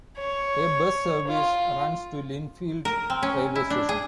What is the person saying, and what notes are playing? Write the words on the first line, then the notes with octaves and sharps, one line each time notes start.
A bus service runs to Lindfield railway station.
C#5
F4
A#4
C4
C#4
E4
D4
G#4